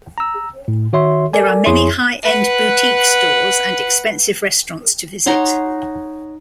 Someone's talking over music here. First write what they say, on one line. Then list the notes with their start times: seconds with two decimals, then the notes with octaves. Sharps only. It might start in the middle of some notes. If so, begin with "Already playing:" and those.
There are many high-end boutique stores and expensive restaurants to visit.
0.18 A#5 E6
0.68 A2
0.93 D#3 F#4 C#5 E5 C6
1.33 A4 A#4 D5 G#5
1.66 F2 E4 G#4 C#5 C6
2.23 B4 F#5
5.26 D#4 C#5 F#5 C6